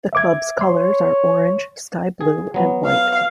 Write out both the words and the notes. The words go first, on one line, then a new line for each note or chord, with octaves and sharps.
The club's colors are orange, sky blue and white.
E5 D6 G#6
C#5 C6
G#4
F#3 B3
F5